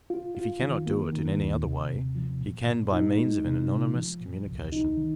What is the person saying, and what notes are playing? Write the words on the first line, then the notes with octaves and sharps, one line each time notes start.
If he cannot do it in any other way, he can by means of an anonymous communication.
F4
F4
D#3
A#3
D#3
D#2
C3
C3
F3
A#2
A#2
D#4
G#3
C3
C3
F3
A#2
C2
D#4
D#3